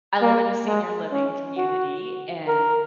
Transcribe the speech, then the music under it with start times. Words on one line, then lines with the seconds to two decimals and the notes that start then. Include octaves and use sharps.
I live in a senior living community, and,
0.21 A#3
0.67 G#3
1.12 C#4
1.57 F#4
2.48 A#4